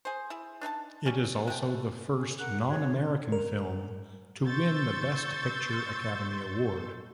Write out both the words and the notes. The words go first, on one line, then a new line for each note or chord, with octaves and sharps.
It is also the first non-American film to win the Best Picture Academy Award.
G#4 C5
E4 G#4
D4 D#4 E5 A5
G3 C#4
G#3 A3 G5
G#4
A#4 F#5 F#6
F#4 G#4 C#5
A#4
C6 C#6 E6 G6 A6